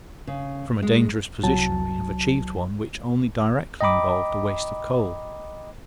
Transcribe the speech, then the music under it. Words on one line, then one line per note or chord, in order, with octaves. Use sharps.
From a dangerous position we have achieved one which only directly involved a waste of coal.
C#3
G#3
C2 F#3 A5
D#5 G5 A#5 B5 D6